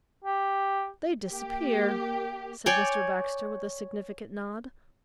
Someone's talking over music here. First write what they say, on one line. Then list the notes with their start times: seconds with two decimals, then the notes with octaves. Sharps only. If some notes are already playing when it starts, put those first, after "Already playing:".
"They disappear," said Mr. Baxter, with a significant nod.
0.24 G4
1.30 A#3 G4
2.66 C#5 D5 G5 G#5